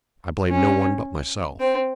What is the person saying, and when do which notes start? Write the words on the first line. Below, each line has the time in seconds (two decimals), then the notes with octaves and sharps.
I blame no one but myself.
0.49 C#4
1.60 C4